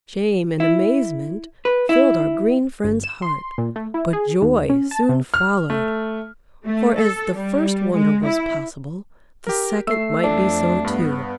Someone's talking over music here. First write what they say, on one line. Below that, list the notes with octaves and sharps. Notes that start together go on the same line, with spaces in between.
Shame and amazement filled our green friend's heart, but joy soon followed; for, as the first wonder was possible, the second might be so too.
E4
B4
E4
G1
E7
C6
A#2
A3
E4
G#4
D#2
C#4
A5
C3
F6
A3
A3
A4
G3
G#3
E4
G4 A#4
A3 E6 C7
F2 D4
G2 B3